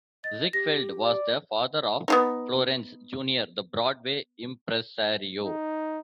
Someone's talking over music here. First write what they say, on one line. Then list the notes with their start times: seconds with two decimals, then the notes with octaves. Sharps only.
Ziegfeld was the father of Florenz Junior the Broadway impresario.
0.24 D#5 A6
0.53 G4 A#6
1.04 D5
2.08 B3 D4 D#4
5.45 D#4